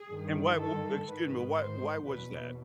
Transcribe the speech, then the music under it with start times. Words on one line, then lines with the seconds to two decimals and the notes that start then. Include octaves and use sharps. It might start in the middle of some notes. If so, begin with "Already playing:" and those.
And why wo excuse me. Why why was that?
Already playing: G#4
0.10 G2 D#3
0.59 A4
1.08 G#2 D#3 B4
1.57 C5
2.06 E2 B2 B4